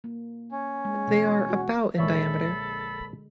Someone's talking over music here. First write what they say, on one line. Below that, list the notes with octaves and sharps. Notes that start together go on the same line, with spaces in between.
They are about in diameter.
A#3
C#4
G#3
B2 E3
F#4
A#1 D3 G#3 A4 C#5 E5 B5